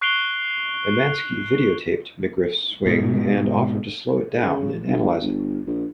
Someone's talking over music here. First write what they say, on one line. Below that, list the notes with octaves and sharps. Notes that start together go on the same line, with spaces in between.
Emanski videotaped McGriff's swing and offered to slow it down and analyze it.
C#6 F#6 C7 D7 F7 G7
G#2 B2
C#3
G1
G1
A#1